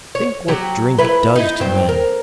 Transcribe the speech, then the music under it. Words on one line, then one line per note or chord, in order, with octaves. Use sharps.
Think what drink does to men?
C#5
F#3 G4
E4 B4
D#4 E4
G2 C4
A#4